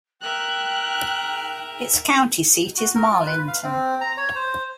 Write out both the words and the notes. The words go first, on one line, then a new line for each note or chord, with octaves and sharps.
Its county seat is Marlinton.
A#4 E5 G5 F#6
F#4
A#4
F4
B4
F5
C4
A#5
C#5
C5